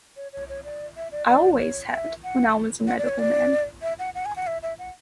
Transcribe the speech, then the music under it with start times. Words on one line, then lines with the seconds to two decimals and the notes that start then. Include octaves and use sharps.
I always had, when I was a medical man.
0.17 C#5
0.33 C#5
0.49 C#5
0.64 D5
0.97 E5
1.12 D5
1.28 D5
1.59 C#5
1.92 E5
2.24 F#5
2.87 F#5
2.98 D5
3.08 C#5
3.19 D5
3.82 E5
3.99 F#5
4.15 F#5
4.26 G#5
4.37 F#5
4.47 E5
4.63 E5
4.79 F#5